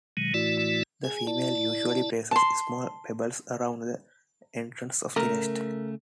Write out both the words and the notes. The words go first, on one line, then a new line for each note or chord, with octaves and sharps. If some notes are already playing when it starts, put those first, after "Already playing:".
The female usually places small pebbles around the entrance of the nest.
B2 D#3 F#3 G#3
A2 E3 A3 E4 F#4 D5
G#4 G#5
E4 D5 A5
A5 C6
C#3 A3 A#4